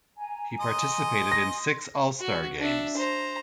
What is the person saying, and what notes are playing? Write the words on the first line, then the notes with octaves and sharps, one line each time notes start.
He participated in six All-Star games.
G#5 A#5
D#5 C6 D#6
A#6
F#4
D4 E5
C5 A#5